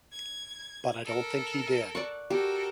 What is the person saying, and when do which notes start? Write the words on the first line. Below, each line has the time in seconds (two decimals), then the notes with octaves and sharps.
But I don't think he did.
0.12 G#6
1.05 A4 A#4
1.95 D5 F#5 C#6
2.30 F#4 G4 A4 A#4